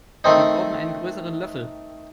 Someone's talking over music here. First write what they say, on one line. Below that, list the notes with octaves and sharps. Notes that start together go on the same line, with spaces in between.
Wir brauchen einen größeren Löffel.
D#3 A3 C4 D#4